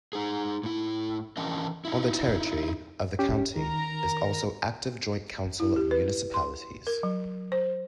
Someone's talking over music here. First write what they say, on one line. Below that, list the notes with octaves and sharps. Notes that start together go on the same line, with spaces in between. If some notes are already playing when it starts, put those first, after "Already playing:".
On the territory of the County is also active Joint Council of Municipalities.
D#4 G#4
A2 E4
E3 C#4 D4 A#4 D#5
D#4 E4
C#4 G4
D#3 A#4 A#5
E4
G4
B4
C6
A#4
F#3
C5